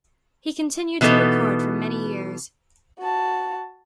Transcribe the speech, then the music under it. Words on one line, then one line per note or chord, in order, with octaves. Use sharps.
He continued to record for many years.
B2 E3 B3 D#4 A4
F#4 A5